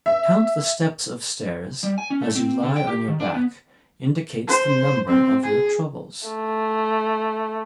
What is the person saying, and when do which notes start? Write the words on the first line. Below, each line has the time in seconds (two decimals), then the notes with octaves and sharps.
To count the steps of stairs, as you lie on your back, indicates the number of your troubles.
0.06 E5
1.83 G3
1.98 G#5
2.10 C#4
2.22 A3
2.35 C4
2.62 D3
2.76 G5
2.87 G4
3.08 D#3
3.20 D4
3.34 B3
4.47 C5
5.08 C4
5.43 G#4
6.28 A3